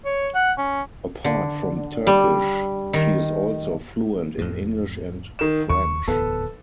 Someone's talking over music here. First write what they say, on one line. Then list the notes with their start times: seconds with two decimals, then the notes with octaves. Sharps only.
Apart from Turkish, she is also fluent in English and French.
0.05 C#5
0.34 F#5
0.58 C#4
1.24 D3
2.07 G3
2.93 D#3
4.38 F2 A2
5.39 D#3 E7
5.69 D#2 C#6
6.08 D1 E2 B3 A4 B4